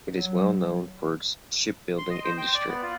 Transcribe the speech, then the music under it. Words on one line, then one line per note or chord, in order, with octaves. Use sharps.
It is well known for its ship building industry.
F#3
C6
D#5
C5
G5
D5
B3
F4